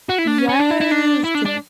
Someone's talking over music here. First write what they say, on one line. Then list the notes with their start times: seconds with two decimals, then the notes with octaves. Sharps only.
Yes, uh
0.09 F#4
0.18 E4
0.27 D4
0.38 C#4
0.49 C#4
0.60 D4
0.70 E4
0.80 E4
0.91 D4
1.24 E4
1.34 D4
1.45 D4